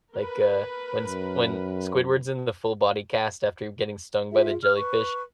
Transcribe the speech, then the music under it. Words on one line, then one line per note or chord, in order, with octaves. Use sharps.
like, uh, when s when Squidward's in the full-body cast after getting stung by the jellyfish,
A#4 B4
F#2
F4 G#4 E5
F6
B4 C#6